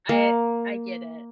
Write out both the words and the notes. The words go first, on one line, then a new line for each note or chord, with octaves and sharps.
I I get it.
A#3